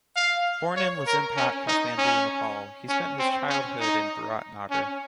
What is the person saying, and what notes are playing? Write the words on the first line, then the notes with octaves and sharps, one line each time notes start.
Born in Lazimpat, Kathmandu, Nepal, he spent his childhood in Biratnagar.
F5
C#5
A#4
C#4
D#4
C#4
C#4
C4
C#4
D#4
C#4